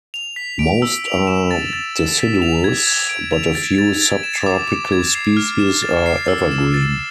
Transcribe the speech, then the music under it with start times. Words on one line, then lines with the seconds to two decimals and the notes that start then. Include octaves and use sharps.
Most are deciduous, but a few subtropical species are evergreen.
0.14 F7
0.36 B6
0.59 D7
0.82 E6
1.06 F7
1.27 E7
1.51 A6
1.73 A6
1.96 E7
2.19 B6
2.42 F7
2.64 G#6
2.87 G#6
3.09 D7
3.33 F7
3.55 A6
3.78 A6
4.01 A6
4.23 E7
4.46 D6
4.69 D6
4.92 G#6
5.15 C7
5.37 F6
5.59 E7
5.82 A6
6.06 C7
6.28 E6
6.51 E7
6.74 A6